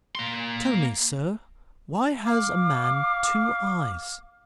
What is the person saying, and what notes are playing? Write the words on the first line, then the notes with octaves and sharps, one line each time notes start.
"Tell me, sir, why has a man two eyes?"
A#3 C6
F5 D6